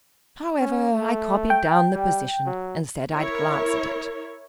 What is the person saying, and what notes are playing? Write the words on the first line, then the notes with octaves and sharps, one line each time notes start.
However, I copied down the position and said I'd glance at it....
C#4
A3
G5
G3
F#3
E4 A#4 C#5